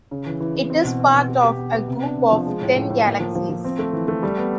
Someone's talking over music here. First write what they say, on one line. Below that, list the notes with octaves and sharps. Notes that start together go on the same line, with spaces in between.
It is part of a group of ten galaxies.
C#3
E3
E3
E3
C4
B2
C4
B2
G4
G4
B3
B3
C3
D4
C3
F3
G#3
A2
A2
A2
A#3
F3
F3
F3
C4
A3
E3
A3
G3
B3